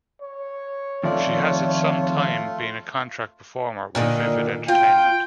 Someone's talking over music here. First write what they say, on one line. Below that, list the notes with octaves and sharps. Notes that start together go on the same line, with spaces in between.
She has at some time been a contract performer with Vivid Entertainment.
C#5
F2 D#3 A3 F4 D5
A#2 D3 D#3
F4 G5